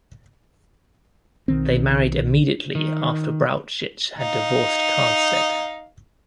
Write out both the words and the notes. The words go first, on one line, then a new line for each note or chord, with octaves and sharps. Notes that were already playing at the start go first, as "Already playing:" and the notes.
They married immediately after Brauchitsch had divorced Karstedt.
B1 D#3 C4
D#3
D#4 F5